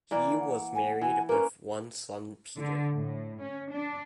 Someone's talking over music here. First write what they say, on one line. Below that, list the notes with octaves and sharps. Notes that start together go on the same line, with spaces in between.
He was married with one son Peter.
E3 A#3 D5
F#5
G#5
E3 G#5
A#3 C#4 A#4 B4
D3
A2
C#4
D4